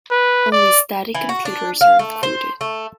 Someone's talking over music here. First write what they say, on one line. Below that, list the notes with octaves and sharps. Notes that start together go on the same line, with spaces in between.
Only static computers are included.
B4
D5
E3
F#4
D4
F5
A3
C5
A3